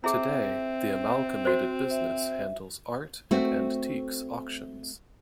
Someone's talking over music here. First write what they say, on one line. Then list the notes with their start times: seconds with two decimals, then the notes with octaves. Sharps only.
Today, the amalgamated business handles art and antiques auctions.
0.04 C4 E4 G#4 E5
1.45 F#4 C5
1.91 E5
3.31 A3 C4 F#4